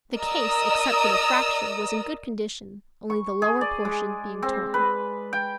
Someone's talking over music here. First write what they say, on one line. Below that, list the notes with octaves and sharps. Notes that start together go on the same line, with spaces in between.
The case, except for the fracture, was in good condition, only the lower portion being torn.
A#4 D5 D#5 A#5 D#6 E6
C#6
G#4
D5
G#3
C4
B4
G5